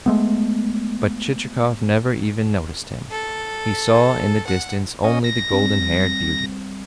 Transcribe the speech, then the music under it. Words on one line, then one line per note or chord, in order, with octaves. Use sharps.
But Chichikov never even noticed him; he saw in the distance only the golden-haired beauty.
G#3 A3 B3
A4
F#5
C#4 D#5
A#6
G3 C4